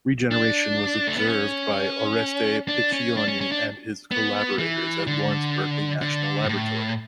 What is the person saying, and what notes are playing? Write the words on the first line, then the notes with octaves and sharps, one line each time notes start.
Regeneration was observed by Oreste Piccioni and his collaborators at Lawrence Berkeley National Laboratory.
D4
A3
B3
C#4
D4
C#4
D4
C#4
C#4
D4
B3
E3
D3
D3
G2
A2